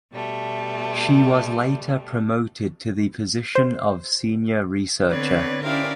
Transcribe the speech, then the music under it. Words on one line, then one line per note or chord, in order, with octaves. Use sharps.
She was later promoted to the position of Senior Researcher.
B2 G3 A3
C5
D3 B3 C4 B4 C#5 D5 G#6
C#4 E4 G4 A#4 C5 D5 F5 F6